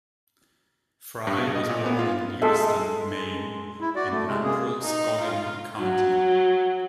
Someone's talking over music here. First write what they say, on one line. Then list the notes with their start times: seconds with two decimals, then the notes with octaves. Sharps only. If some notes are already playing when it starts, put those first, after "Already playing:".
Frye was born in Lewiston, Maine, in Androscoggin County.
1.27 G2
1.38 B2
1.55 D#5
1.69 A#2
1.86 B3
1.99 F4
2.42 G#3 A4 E5
3.81 E4
3.95 F#4 D5
4.11 A3
4.28 C3 G#3
4.44 A#3 G#4
4.83 D#4
5.21 F4
5.78 F#3